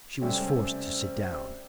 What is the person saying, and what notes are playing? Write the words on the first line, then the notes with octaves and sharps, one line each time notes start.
She was forced to sit down.
C3 G3 A3 C4 C#4